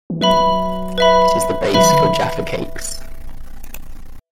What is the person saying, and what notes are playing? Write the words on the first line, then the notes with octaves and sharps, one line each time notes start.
It is the base for Jaffa Cakes.
E3
F#3 B4 E5 B5
B4 E5 B5
F#3 B4 E5 B5
E3
D3
E3